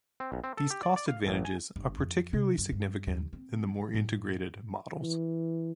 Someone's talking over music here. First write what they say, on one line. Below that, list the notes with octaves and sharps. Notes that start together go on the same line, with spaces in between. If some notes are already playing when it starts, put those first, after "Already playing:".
These cost advantages are particularly significant in the more integrated models.
C4
B1
C4
A4
G4
D5
D5
F5
A1
G#5
G1
F2
C3
F#2
G2
D#2
C4
A2
E3